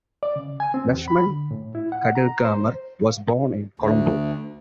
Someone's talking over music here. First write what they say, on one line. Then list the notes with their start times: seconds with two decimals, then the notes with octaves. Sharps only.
Lakshman Kadirgamar was born in Colombo.
0.23 D5
0.36 C#3
0.60 G#5
0.74 C4
0.87 E2
1.08 B5
1.26 D3
1.51 A2
1.75 E4
1.92 F#5
2.15 A#5
2.45 C5
3.80 D2